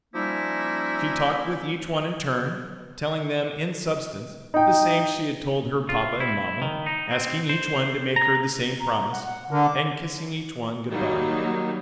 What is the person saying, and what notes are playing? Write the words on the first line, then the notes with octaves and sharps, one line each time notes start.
She talked with each one in turn, telling them in substance, the same she had told her papa and mama, asking each one to make her the same promise, and kissing each one good-bye.
F3 G3 A#3 C#4 D#4 E4
D#4 G5
F4
E4
D#3
D#4
C4
C5
A#5
A#5
F#5
F#5
D3 A#4
D6
D#3 F#3 G3 A#3 D#4